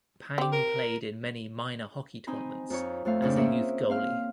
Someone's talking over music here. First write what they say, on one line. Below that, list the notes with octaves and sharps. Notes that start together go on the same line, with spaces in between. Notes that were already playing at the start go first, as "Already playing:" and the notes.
Pang played in many minor hockey tournaments as a youth goalie.
C4 G4
A#4
C4 D#4 G#5 B5
F2 D#4 C#5
F2 A3 C4 F5
F2 C#3 C4 D4
A#3 C4 C#4 G#4 C#5 E5
C4 F5 F6